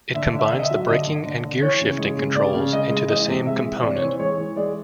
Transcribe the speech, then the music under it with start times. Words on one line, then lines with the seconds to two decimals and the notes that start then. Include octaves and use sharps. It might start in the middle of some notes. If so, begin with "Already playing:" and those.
It combines the braking and gear shifting controls into the same component.
0.14 D3 E5
0.33 D3
0.39 E5
0.51 D3
0.59 D#5
0.64 E5
0.71 F#3
0.88 D3 D#5
1.07 D3
1.26 D3
1.44 D3
1.62 E3 C#5
1.81 C#3
1.98 G#3
2.17 C#3
2.35 C#3 D5
2.54 C#3
2.73 G#3 D#5
2.90 G#3
3.09 E3 D#5
3.28 C3
3.46 G#3 E5
3.64 E3
3.83 C3 D5
3.96 C#5
4.02 E3
4.07 C5
4.19 G#3 C#5
4.38 E3
4.56 G#3 D5